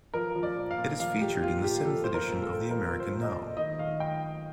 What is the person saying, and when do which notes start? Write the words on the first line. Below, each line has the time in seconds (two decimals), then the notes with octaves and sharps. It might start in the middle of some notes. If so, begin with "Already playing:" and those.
It is featured in the seventh edition of the American Now!
0.14 F3 A#4
0.35 F3
0.43 D5
0.57 A#2
0.71 F5
0.78 A#2
1.00 F3 F5
1.21 F3 G4
1.43 A#2 F4
1.64 A#2 G4
1.85 F3 A4
2.04 F3 C5
2.14 A#4
2.28 A#2
2.43 A4
2.50 A#2
2.71 F3 A#4
2.93 F3
3.00 C5
3.14 A#2
3.22 D#5
3.29 D5
3.36 A#2
3.57 D#3 D#5
3.78 D#3 F5
4.00 G5